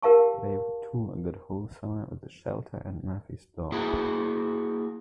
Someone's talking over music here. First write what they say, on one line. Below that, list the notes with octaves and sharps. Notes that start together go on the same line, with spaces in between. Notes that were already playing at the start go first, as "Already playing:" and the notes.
They would tour that whole summer with Shelter and Murphys Law.
G4 A#4 F5 A5 C#6
A#3 E4 F#4 G#4